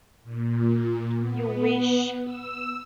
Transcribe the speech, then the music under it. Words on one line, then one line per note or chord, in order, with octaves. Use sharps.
You wish!
A#2
B3
E6